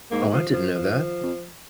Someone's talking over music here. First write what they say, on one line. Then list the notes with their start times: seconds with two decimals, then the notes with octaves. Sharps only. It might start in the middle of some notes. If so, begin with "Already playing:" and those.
Oh, I didn't know that.
0.11 G#2 A#3
0.33 F3
0.53 F3
0.74 F3
1.23 F2